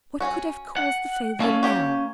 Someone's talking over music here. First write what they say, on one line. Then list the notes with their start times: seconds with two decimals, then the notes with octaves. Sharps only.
What could have caused the failure now?
0.20 C#4 F#4
0.77 F#5
1.40 A3 A#3 C#4 A4
1.63 F#4 G4 C#5